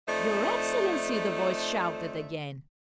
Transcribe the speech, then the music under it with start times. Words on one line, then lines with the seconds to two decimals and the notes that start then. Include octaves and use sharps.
"Your Excellency!" the voice shouted again.
0.08 F2 A3 D4 D#4 C5 E5